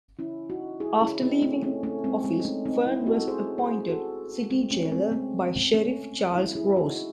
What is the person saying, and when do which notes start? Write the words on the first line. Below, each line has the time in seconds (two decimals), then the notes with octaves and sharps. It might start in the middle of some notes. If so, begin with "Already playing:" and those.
After leaving office Fern was appointed City Jailer by Sheriff Charles Rose.
0.19 C#4 E4
0.50 D#4 F#4
0.80 E4 G#4
1.01 C#4 E4
1.21 C4 D#4
1.42 A3 C#4
1.62 A3 C#4
1.83 A3 C#4
2.04 G#3 C4
2.24 G#3 C4
2.40 D#4
2.45 A3 C#4
2.65 C4 D#4
2.86 C#4 E4
3.06 F#4 A4
3.28 G#4 C5
3.58 G#4 C5
3.88 F#4 A4
4.50 G#3 C4
4.71 A3 C#4
4.92 G#3 C4
5.12 G#3 C4
5.73 A3 C#4
6.35 C#4 E4
6.55 E4 G#4
6.76 D#4 F#4